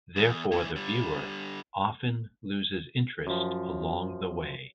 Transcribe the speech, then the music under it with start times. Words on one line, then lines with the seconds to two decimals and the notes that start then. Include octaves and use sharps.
Therefore the viewer often loses interest along the way.
0.16 E2
0.52 A#2 E3
0.76 D3 G3
3.27 F#2 F3